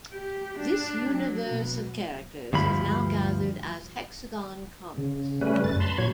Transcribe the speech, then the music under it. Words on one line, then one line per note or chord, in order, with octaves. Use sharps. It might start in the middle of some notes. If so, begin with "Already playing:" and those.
This universe of characters is now gathered as Hexagon Comics.
G4
D4
F#3
B2
D2 G2 F3 B5
C#3
G3 A3 C#4 B4
F#2 A6
A5 B5 C6
A#2 F#3 C#5 G#6